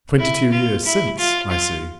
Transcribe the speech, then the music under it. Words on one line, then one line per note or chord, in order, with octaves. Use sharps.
"Twenty-two years since, I see."
E4
F4
E4
F4
F4